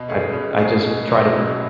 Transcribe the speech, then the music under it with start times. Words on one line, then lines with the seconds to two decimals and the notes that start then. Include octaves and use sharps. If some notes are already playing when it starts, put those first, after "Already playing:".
I I just try to
Already playing: B2
0.08 A3 C#4 G#4
0.33 B2
0.58 A3 C#4 G#4
0.83 B2
1.07 F#3 C#4
1.33 B2